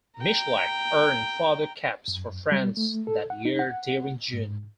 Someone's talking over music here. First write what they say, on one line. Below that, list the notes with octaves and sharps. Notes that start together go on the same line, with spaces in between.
Michalak earned further caps for France that year during June.
G5 A#5
F#2
G3
A3
A4
F#5
D#4
F#5
G#2